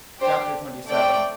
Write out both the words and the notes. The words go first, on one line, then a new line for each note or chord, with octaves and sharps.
Chap. XXVII.
D4 G4 C5
A3 C4 A4 D5 G5